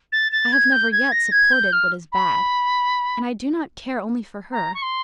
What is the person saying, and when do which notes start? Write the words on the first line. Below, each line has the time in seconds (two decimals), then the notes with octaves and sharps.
I have never yet supported what is bad. And I do not care only for her.
0.12 A6
0.32 A6
0.52 G#6
0.72 G6
0.92 G#6
1.12 A#6
1.31 G#6
1.52 G6
1.72 F6
2.12 B5
4.52 A#5
4.74 C#6
4.82 C6